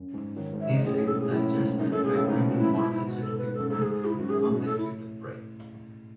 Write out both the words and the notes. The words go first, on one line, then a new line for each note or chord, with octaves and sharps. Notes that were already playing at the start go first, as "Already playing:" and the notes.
This aids digestion by bringing more digestive glands in contact with the prey.
Already playing: F#2
G#2
D#3 F#3
G#2
E5
G#2 D#5
F#2 A2 G#4
G#4
G#2 B2 A4
G#4
F#2 A2 E4
G#2
F#2 D#4
F#2 A2 A4
G#2 B2 G#4
A2 C#3 A4
G#2 B2 D#4
F#4
E4
E4
E4
F#4
A4
B4
F#2 A4
G#2 A4
G#4
G#4
E4
F#2 F#4
G#4
F#2
G#4
B2 F#4
A2 A4
E4